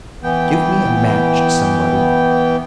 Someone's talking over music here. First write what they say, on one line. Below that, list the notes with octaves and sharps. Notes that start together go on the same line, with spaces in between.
Give me a match somebody....
E3 B3 G5